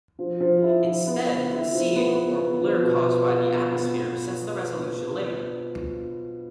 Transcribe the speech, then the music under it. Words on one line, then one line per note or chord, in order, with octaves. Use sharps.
Instead, the seeing, or blur caused by the atmosphere, sets the resolution limit.
F3
F3
E4
F3
B3
B4
E4
F3
B3
B3
B3
F3
B2
B2
F4
B3
B3
B3